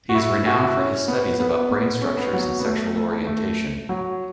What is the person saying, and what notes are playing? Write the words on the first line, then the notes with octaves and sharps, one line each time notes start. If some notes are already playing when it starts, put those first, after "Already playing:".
He is renowned for his studies about brain structures and sexual orientation.
F#4
E4
F#4
E4
C#4
B3
B3
B3
C#4
B3
F#3
B3
A3
A3
A3
F#3